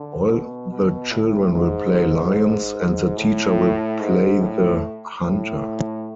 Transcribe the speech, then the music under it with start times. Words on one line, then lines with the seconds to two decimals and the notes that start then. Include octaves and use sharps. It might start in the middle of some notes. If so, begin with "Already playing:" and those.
All the children will play "lions" and the teacher will play the "hunter".
Already playing: D3
0.29 B2
0.71 B2
1.11 A2
1.53 G#2
3.17 A2
4.00 G#2
4.41 A2
5.23 A2